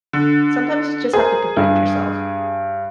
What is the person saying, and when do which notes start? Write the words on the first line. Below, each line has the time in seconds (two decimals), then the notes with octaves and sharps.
"Sometimes you just have to protect yourself."
0.13 D3
1.13 G#4 A#4 C5
1.57 G2